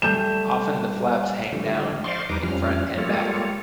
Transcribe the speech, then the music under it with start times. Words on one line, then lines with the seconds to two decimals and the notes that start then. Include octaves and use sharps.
Often, the flaps hang down in front and back.
0.02 G3 A3 G6 E7
1.53 D3 F3 G3 A3
2.04 C5 D5 D#5 F5 C6 C#6
2.29 E2 G3 D#4 B4 A#5 D6
2.43 F2 F3 G3 C#4 F6
2.98 G3 G#3 A#3 F4 A4 C#5